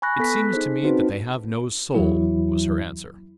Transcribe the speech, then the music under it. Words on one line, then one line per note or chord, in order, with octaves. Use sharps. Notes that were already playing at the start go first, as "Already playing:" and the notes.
"It seems to me that they have no soul," was her answer.
G#5 B5 C#6 F#6 A#6
B3 A4 F#6 B6
D#4 G#4 C5
C4 C#4 D#4 F#4 B4 C5
E2 E3 F#3 E4